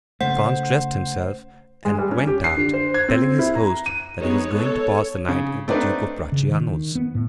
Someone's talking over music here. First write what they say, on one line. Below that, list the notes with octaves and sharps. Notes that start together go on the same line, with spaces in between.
Franz dressed himself, and went out, telling his host that he was going to pass the night at the Duke of Bracciano's.
C#3 A3 C5 F#5
G#3
G3
C#4
G4
C7
D3
C5
G#6
C4
E4
A#5
D#7
G#3 B3 D#4 C#5
A4 C#5
C#3
A3 C4 D4 D#4 B4
C#3
D#3
B3
A2